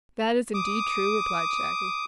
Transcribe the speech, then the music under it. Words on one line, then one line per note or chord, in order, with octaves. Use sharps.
"That is indeed true," replied Shaggy.
D6 D#6